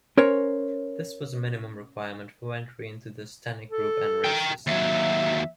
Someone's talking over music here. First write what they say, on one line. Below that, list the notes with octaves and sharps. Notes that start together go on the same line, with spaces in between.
This was a minimum requirement for entry into the Stannic Group N races.
C#4 A#4 C5 C#5
A4
A#4 G5
D#2 F#3 E5